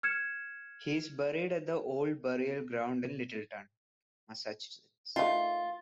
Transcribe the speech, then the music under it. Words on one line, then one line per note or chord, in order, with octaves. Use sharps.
He is buried at the Old Burial Ground in Littleton, Massachusetts.
F6 G#6 C#7 E7
D#3 A3 F4